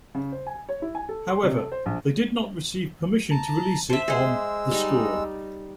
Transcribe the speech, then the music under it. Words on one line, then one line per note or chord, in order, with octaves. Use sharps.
However, they did not receive permission to release it on "The Score".
C#3
C5
G#5
C#5
E4
G#5
A4
C6
C3
A4
C5
A#1
A5 A#5
C5 E5 A5
G#3 G#4 C5 E6
G3 D#4